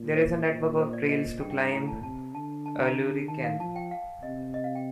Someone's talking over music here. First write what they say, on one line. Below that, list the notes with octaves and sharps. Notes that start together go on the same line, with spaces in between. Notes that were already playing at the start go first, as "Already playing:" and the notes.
There is a network of trails to climb Ulriken.
Already playing: A#2
C5
A#2
C5
D5
D#5
G2 G5
G5
A#5
A2 A#5
A5
C3 A5
D3 A5
A5
A#5
D#3 A5
F5
F3 A5
G5
F5
C3 D#5
D#5
F5
G5